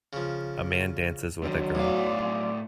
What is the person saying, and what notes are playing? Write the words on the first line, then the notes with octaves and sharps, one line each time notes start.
A man dances with a girl.
C#3 F3
D#3 F#3 D4
B1 A2 D5 F5